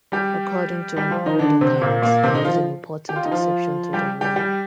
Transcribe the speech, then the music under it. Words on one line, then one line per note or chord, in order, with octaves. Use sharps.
According to an old account, there was an important exception to the rule.
G3 G4
G3 G4
F3 F4
D#3 D#4
D3 D4
C3 C4
A#2 A#3
A#2 A#3
C3 C4
D#3 D#4
F3 F4
G4
F4
D#4
F3 F4
G3 G4
G3 G4
G3 G4